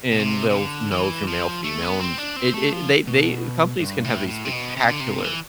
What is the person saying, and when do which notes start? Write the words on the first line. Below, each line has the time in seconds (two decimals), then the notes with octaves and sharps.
And they'll f know if you're male, female, and it it they they companies can have a spectacular,
0.12 B2
0.19 C3
0.50 C3
0.56 D3
0.92 E3
1.28 F3
1.64 A3
1.82 B3
2.00 C4
2.18 D4
2.36 C4
2.54 A3
2.72 F3
3.07 B2
3.80 G2
4.04 A2
4.28 A2
4.45 C3
4.53 B2
4.76 C3
4.89 D3
5.00 C3
5.18 D3
5.24 E3